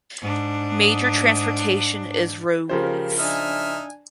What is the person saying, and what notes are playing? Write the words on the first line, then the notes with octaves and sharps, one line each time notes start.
Major transportation is road ways.
G#2 D4
C#3 F3 G4 A#4 C5
D4 D#4 E5 G#5 F6